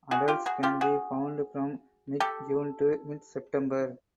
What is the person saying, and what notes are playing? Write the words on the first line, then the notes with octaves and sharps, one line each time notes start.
Adults can be found from mid June to mid September.
F#4 G#4
F4 G4
F#4 G#4
F4 G4
F#4 G#4
G4 A4